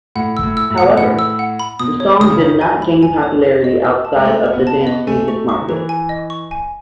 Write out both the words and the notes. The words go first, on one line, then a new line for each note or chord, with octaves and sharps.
However, the song did not gain popularity outside of the dance music market.
A2 F#5
E6
A2
E6
A2
F#5
B2
A2 F#5
E6
F#5
B5
B2 D#6
C#5
D#3 D#6
C#3
D#3 C#5
G#5
B5
G#5
C#5
B4
D#5
E6
A5
G#3
A3 B4
B4
B3
A5
B3
D#5
A3 G#5
A3 C#6
F#3 C#6
D#3
E3 B4
G#5
D#5
C#6
G#5